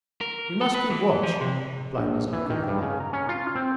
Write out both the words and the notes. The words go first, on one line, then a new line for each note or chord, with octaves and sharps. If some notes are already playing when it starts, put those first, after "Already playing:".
You must keep watch,' replied Nazarka with a laugh.
A#4
A4
B4
E3
F3
C3
A#1
E3
D#3
G2
C#3
A#5
C#4
F4
C4